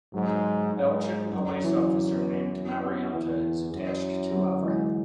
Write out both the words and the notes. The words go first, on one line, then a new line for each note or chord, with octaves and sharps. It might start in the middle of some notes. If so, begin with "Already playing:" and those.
Belgian police officer named Marianka is attached to Avraham.
G#2 F#3
G#2
F#2 F#3
E3
F#2
E2 E3
F#2
F#3
E3 G#3